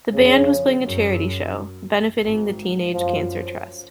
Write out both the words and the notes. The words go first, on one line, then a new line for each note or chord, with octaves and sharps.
The band was playing a charity show, benefiting the Teenage Cancer Trust.
F2 C#3
F#2
G#1 G#2
F#2 F3